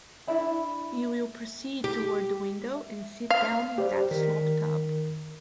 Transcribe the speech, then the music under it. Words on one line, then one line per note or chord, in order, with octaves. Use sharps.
You will proceed toward the window and sit down in that slop-tub.
D4 E4 E5 B5
G4
E5
F5
G4 C5 D5
D#3 A#4 B6